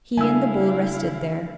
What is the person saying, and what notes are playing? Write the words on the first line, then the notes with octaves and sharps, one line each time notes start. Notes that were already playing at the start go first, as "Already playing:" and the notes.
He and the bull rested there.
C#3 G3 A3 D4 E4 F5 G#5 E6